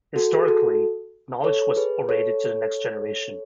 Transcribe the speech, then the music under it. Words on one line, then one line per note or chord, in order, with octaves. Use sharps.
Historically, knowledge was orated to the next generation.
F#4 A4
G#4
F#4 A4
A4 C#5
G#4 B4
A4 C#5